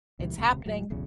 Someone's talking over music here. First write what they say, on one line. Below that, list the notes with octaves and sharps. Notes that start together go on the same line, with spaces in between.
It's happening.
C#2 A#2 E3 G3
D#1 C#2 C3
D1 A2 F#3
D1 B1 E2 C#3